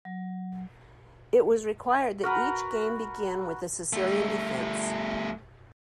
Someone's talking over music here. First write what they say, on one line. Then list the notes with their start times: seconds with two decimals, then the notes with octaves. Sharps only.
It was required that each game begin with the Sicilian Defense.
0.05 F#3
2.23 F#4 A#4 B4
3.93 G3 A3